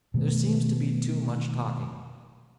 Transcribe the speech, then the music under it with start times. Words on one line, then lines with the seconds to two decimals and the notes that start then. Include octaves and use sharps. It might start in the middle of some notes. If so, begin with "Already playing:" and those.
'There seems to be too much talking.'
0.14 B2 D#3 A3 B3